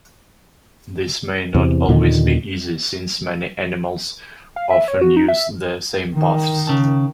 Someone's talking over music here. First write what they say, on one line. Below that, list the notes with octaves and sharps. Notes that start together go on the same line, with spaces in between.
This may not always be easy, since many animals often use the same paths.
E2 C3
D#2 A#2 D3 D#3
F5
E5
C#5
F#4
D#4
E5
D#3
C#3 A5